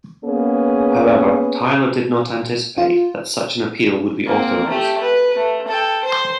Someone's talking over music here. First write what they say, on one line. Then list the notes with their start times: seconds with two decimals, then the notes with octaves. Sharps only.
However, Tyler did not anticipate that such an appeal would be authorized.
0.25 A#3 B3 C#4 G#4
2.78 F4
4.26 A#3 C4
4.69 A3 G4
5.01 B4
5.35 A3
5.68 A4 G5
6.04 C5 C6